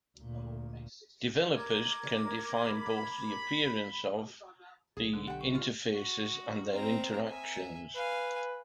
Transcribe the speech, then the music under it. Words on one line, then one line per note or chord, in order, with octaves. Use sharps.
Developers can define both the appearance of the interfaces and their interactions.
D2 A#2
A#4 D6 G#6
B5
B1 G#4
D3
G4 F#5 G5
C#6
F4
F#4
C4 A#5
E5 G#5
B4 F5 G#5